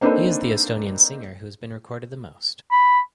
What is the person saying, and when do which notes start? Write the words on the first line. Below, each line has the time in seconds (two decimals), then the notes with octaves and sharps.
He is the Estonian singer who has been recorded the most.
0.01 A#3 C4 D4 D#4 A4 B4
2.71 B5